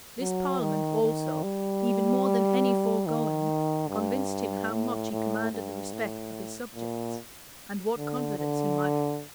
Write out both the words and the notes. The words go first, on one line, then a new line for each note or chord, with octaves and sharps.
This parliament also, even more than any foregoing, convinced him how much he commanded the respect of his subjects, and what confidence he might repose in them.
F#3
D#3
D#3
G3
D#3
G2
A2
A2
G2
A2
A#2
D3
D3